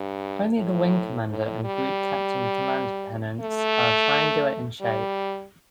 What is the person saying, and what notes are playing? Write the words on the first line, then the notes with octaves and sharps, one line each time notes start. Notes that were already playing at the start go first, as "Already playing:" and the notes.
Only the wing commander and group captain command pennants are triangular in shape.
Already playing: G2
A2
A2
G3
A3
G3